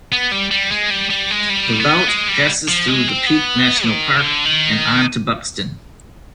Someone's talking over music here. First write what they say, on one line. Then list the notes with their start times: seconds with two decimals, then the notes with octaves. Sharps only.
The route passes through the Peak National Park and on to Buxton.
0.12 B3
0.32 G3
0.51 G3
0.71 G#3
0.90 G3
1.10 G3
1.31 G#3
1.50 G3
1.80 B3
2.09 G#3
2.29 G3
2.69 F3
2.88 G#3
3.08 C4
3.27 B3
3.87 D#3
4.16 D3
4.45 D#3